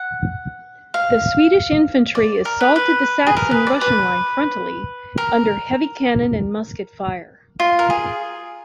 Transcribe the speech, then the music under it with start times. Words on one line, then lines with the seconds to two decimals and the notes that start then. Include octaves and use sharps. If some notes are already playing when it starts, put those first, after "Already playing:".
The Swedish infantry assaulted the Saxon-Russian line frontally, under heavy cannon and musket fire.
Already playing: F#5
0.94 F5
2.15 D5
2.45 A#4
2.61 B4
2.76 B4
3.27 G#4
3.37 A#4
3.51 B4
3.67 D5
3.81 B4
5.18 A#4
7.60 F4
7.79 A#4
7.90 G#4